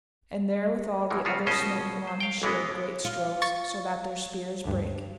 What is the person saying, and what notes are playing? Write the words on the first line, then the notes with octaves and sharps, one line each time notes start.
And therewithal the other smote him on his shield great strokes, so that their spears brake.
F#2 E3 F3 G#3
C#3 F3 B3 F4 F#4
A#1 B2 G#3 C#4 C5 D#5
C5
F5 G5
B1 E3 G#3 B3
F4
C#6 A6
D2 G2